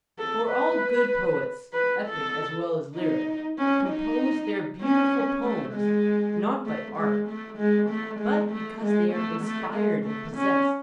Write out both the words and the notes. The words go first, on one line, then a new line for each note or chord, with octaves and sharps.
For all good poets, epic as well as lyric, compose their beautiful poems not by art, but because they are inspired and possessed.
A4
B4
B4
A4
D#4
C#4
D#4
C#4
A3
G#3
A3
G#3
A3
G#3
A3
G#3
A3
G#3
A3
A3
G#3
A3
C#4